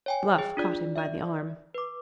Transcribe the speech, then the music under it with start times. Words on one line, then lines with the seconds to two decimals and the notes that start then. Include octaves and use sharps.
Bluff caught him by the arm.
0.06 C#5 G5 G#5
0.38 G#4 G5
0.57 D4 F4 D5
0.96 D5 E5
1.74 B4 D6